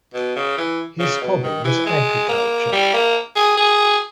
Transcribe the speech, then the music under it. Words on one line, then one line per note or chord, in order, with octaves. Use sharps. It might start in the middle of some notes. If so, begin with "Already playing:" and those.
His hobby was agriculture.
B2
C#3
E3
C#3
B2
D#3
E3
G#3
A#3
G3
A#3
G#4
G#4